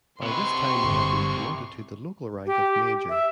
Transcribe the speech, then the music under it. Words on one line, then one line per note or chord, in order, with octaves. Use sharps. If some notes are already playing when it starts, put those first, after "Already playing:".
By this time he had been promoted to the local rank of Major.
C3 B4 C6 C#6
G1
G4
E5